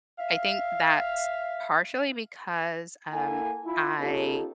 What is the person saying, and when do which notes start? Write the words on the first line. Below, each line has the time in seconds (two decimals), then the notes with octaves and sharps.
I think that's partially because, um, I
0.19 E5 F5
3.13 A#3 E4 A4 F#5 G#5
3.65 E4 F4
3.99 B3 C#4 D#4 F4 G4 A4